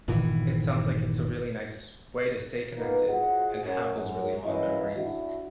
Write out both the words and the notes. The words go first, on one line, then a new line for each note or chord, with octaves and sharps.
it sounds like it's a really nice way to stay connected and have those really fond memories
G1 A#2 D#3 E3
A#3 B3 D#4 F4 A4 B4
F4 F#4 G#4 C5 D#5 F#5
F#2
F#2
F#2 C#3 E3 C#4 E4 D#5
D4 E4 F#4